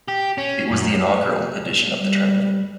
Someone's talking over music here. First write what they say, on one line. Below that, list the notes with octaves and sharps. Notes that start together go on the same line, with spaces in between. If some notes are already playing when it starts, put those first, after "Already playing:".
It was the inaugural edition of the tournament.
G4
C#4
F#2
G3